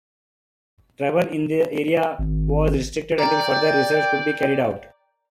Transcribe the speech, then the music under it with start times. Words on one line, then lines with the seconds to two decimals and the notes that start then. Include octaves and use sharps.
Travel in the area was restricted until further research could be carried out.
2.19 G#1
3.19 A#4 D5 G5